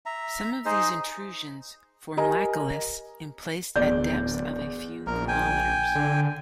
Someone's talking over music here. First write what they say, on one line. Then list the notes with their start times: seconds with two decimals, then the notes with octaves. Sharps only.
Some of these intrusions form laccoliths emplaced at depths of a few kilometers.
0.06 E5 A#5
0.65 D#4 G#4 C5 D#5
2.17 G4 A#4 D#5 G#5 A#5
3.76 D1 E2 D5 G6
5.07 A#1 A#4
5.28 G5 G#5
5.95 D3